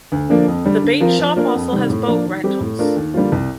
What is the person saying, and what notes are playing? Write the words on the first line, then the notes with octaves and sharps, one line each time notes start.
The bait shop also has boat rentals.
D2
D3 F3 A#3 D4
F2
D3 G3 D4
D3
F3 C4 F4 A#4
F3
A#3 D4 F4 A#4
F2
C3 D#3 G3
A2
F3 A#3 D4
D#3
G3 C4 G4
A2
A3 D4 F4 A#4
D#2
D3 G3 A#3 F4
C2